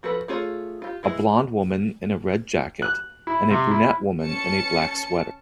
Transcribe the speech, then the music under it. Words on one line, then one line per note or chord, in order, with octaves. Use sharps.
A blond woman in a red jacket and a brunette woman in a black sweater.
F3 F#4 A4 B4
A3 F4 G#4 C#5
F4 G4
E3 G#3 E4
F#6
E4
C3
E4
C#4 A5 C#7